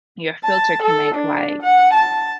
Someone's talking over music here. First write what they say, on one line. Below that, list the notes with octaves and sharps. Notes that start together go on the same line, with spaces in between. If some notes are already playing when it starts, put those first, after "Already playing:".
your filter can make, like,
A5
A4
D4
F#5
A5